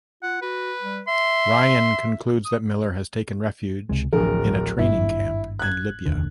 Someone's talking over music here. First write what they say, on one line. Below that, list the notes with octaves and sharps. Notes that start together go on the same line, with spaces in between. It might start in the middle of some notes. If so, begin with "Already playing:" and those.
Ryan concludes that Miller has taken refuge in a training camp in Libya.
F4 F#5
F#4 B4
G3
E5 C6
D#6
C#2 C3 G#3
D1 A1 F3 D4 G#4 A#4
G#1 G2 A#2 E4
F#6 G#6
F1 D#2 D3